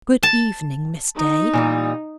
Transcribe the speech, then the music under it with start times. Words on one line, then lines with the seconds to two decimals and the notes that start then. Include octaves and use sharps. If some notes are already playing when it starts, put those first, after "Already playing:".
"Good-evening, Miss Day."
0.23 A5
1.16 D#4
1.53 A#2 E3 G3